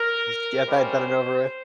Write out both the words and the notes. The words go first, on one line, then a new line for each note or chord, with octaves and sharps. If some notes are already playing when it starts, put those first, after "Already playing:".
Just get that done and over with.
Already playing: A#4
C3 G3 C#4 C5